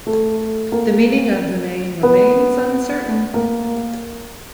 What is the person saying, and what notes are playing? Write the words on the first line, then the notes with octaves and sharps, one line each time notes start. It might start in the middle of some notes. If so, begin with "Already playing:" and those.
The meaning of the name remains uncertain.
A3
A#3
B3
A#3